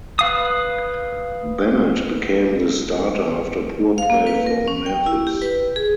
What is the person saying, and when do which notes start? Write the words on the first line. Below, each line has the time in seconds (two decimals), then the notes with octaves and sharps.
Bennett became the starter after poor play from Mathis.
0.19 B4 F5 D#6
3.98 F5
4.10 A#3
4.27 B4
4.47 A#4
4.68 C#4
4.86 G5
5.06 E4
5.27 G4
5.42 B4
5.76 G#4